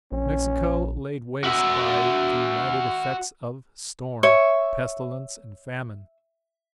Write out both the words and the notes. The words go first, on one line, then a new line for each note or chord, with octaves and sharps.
Mexico laid waste by the united effects of storm, pestilence and famine.
A#1 C#4
F#4 E5
C#5 E5